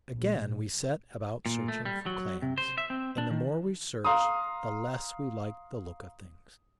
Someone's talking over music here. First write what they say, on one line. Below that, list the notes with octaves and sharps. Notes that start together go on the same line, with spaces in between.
Again we set about searching for claims, and the more we searched the less we liked the look of things.
A#1
A#2
A3
G3
F#3
C3
C5
E5
C4
D4
D#3
F5 A#5 C6 D#6